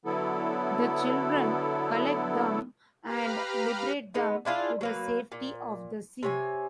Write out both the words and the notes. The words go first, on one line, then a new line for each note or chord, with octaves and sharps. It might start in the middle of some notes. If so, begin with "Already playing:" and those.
The children collect them and liberate them to the safety of the sea.
D3 F#3 B3 E4 A4
G4 B4 F5 A#5 B5 F6
G#3 B3 D#4
D4 E4 F4 G#4
F#3 A#3 B4
A#2
C3 C#5 G#5